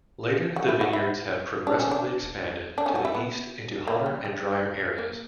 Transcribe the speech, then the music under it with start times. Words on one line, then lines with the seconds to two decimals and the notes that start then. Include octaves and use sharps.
Later, the vineyards have progressively expanded to the east into hotter and drier areas.
0.56 F#4
0.69 E4
0.81 F#4
0.93 E4
1.67 D4
1.80 C#4
1.92 D4
2.78 D4
2.86 C#4
2.96 F#4
3.05 E4
3.15 B3
3.88 A#3
4.06 G3
4.25 G3
4.98 A#3